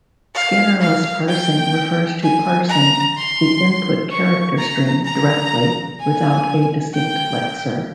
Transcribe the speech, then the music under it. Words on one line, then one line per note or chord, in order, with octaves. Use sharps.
Scannerless parsing refers to parsing the input character-stream directly, without a distinct lexer.
F5
F5
G5
G#5
A#5
C6
C#6
A#5
A#5
G#5
G5